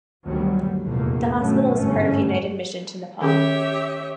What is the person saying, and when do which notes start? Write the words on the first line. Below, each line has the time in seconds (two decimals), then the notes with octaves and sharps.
The hospital is part of United Mission to Nepal.
0.25 G1 D2 D#3 F#3 G3
0.84 F1 A#1 E2 B2 A3 A#3
1.40 G#1 G2 B2 F#3 A3 C#4
1.74 G1 G#2 E3 A3 C#4
3.21 D#3 C#4 G4 G#4 C#5 E5